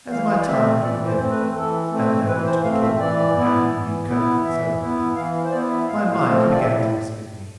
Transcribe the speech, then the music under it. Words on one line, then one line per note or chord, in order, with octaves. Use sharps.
As my time drew nearer, and there got to be talk of my having a new coat for the ceremony, my mind began to misgive me.
E3 F5
F5
D5
A3 C4 E5
E3 D5
C5
A3 C4
B4
E3 A4
A3 C4
E3 B4
C5
A3 C4 F5
E5
E3 D5
B3 E4
E3
B3 E4
E3 E5
B3 E4
E3 F5
C5
B3 E4 D5
E5
A2 F5
F5
F3 A3 C4
D5
A2 E5